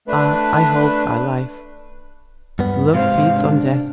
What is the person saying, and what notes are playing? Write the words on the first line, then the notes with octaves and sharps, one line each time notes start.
I hold thy life! Love feeds on death.
A3 D4 B4
G2 B3
G#2 C3 C5 F5
D4